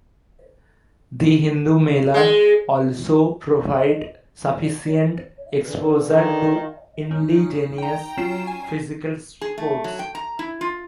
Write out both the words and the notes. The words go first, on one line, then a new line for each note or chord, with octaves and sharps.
The Hindu "Mela" also provided sufficient exposure to indigenous physical sports.
G#3
D3 E3
D#3
C#4 D#4
G5 A#5
F#3 C#4 F4 C7 E7
G#5
G#4
A3
F#3
G5
A#5
E4
F4